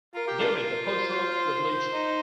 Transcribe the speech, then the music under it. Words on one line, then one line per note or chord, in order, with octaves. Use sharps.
During the Cultural Revolution.
F4 A#4
G4
G#3 D4 F4
C5
D#4